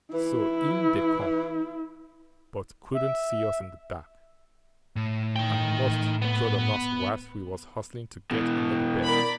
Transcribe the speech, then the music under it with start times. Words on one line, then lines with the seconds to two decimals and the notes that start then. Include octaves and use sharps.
So in they come, but couldn't see us in the dark, and most trod on us whilst we was hustling to get under the bed.
0.14 E3 E4
2.95 E5
4.96 A2
5.36 D#4 G5
6.22 B3 B4
8.31 B2 E3
9.05 A#4 D5 B5